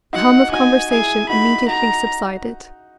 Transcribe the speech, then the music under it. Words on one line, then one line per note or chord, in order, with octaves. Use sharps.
The hum of conversation immediately subsided.
D#4 F#4 F#5
D#4 F#4 G#5
E4 G#4 G#5
D#4 F#4 B5
D#4 F#4 A#5